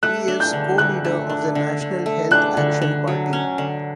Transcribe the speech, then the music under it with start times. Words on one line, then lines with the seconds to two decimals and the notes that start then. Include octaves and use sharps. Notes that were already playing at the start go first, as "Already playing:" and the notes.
He is Co-Leader of the National Health Action Party.
0.03 A3 F#6
0.28 D4
0.40 G6
0.53 D3
0.78 D3 F#6
1.05 A3
1.29 D4
1.55 D3
1.81 D3
2.06 A3
2.31 D4 F#6
2.57 D3
2.82 D3
3.07 F#3
3.33 C#4
3.58 D3